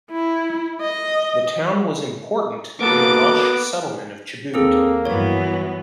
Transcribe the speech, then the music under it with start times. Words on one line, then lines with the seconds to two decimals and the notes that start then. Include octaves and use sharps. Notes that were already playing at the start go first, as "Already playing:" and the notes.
The town was important in the Welsh settlement of Chubut.
0.11 E4
0.81 D#5
2.81 A#3 B3 F#4 A4 A#4 D6
4.54 D#2 A#3 C4 G#4 A4
5.05 G2 E3 F#3 B3 C#5